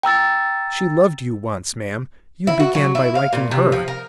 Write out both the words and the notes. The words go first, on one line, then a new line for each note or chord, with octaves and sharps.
She loved you once, ma'am; you began by liking her.
G5 A#5 E6 A6
E4
F#4
F#3
E4
F5
A#2
C3
F3
A#4